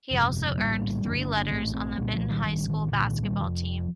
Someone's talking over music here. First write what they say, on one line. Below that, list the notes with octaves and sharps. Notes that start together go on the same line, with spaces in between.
He also earned three letters on the Benton High School basketball team.
G1 F2 C3
A#1 A2 G3 A#3
G1 F2 D3 A#3 D4
A#3 D4
A#3 D4
A#1 A2 A3 C4
D4
A3 C4
C2 A#2 G3 A#3
F3 A3
D#3 G3
A1 A2 D#3 G3
D#3
C2 A#2 D3
D#3
F3
D#3 G3
F1 F2 D3 F3